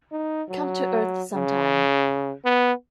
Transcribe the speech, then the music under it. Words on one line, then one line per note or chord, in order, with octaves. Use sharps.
Come to Earth sometime.
D#4
F#3
C#3
B3